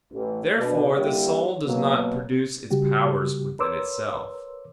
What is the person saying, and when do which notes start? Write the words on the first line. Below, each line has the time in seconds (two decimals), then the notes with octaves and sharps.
Therefore the soul does not produce its powers within itself.
0.12 A1
0.58 B2 D4
0.95 D3 G3 A#3 E4
1.65 B2 F#3 A#3
2.71 C#3 G3 F#4 G4
3.59 A#4 B4 C#5 C6 D6 E6